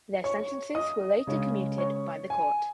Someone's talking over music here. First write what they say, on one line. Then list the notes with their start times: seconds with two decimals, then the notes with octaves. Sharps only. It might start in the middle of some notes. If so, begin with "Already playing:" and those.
Their sentences were later commuted by the court.
0.24 C#5 C#6
0.75 D#5 D#6
1.27 C#3 G#3 C#4
1.78 C#5 C#6
2.30 G#5